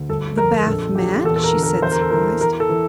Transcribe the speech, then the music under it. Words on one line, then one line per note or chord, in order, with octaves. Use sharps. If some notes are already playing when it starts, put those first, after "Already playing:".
"The bath-mat," she said, surprised.
Already playing: D2
G1 A4
F2 A#4
A#4
A#1 A4
A#2 G4
E2 A4
A4
A#4
D3
A#4
E2 C5
A#4
A4
E3 A#4
E2 A#4
A4
E3